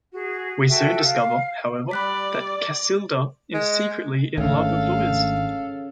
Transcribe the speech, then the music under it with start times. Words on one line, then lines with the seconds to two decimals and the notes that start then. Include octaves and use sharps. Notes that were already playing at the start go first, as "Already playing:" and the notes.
We soon discover, however that Casilda is secretly in love with Luiz.
0.12 F#4 G#4
0.68 F#4 A4 E5 G5
1.02 F5
1.91 G3 D5 B5 F#6 B6
3.54 G#3
4.37 G#1 C#3 A3 D4 A4 F5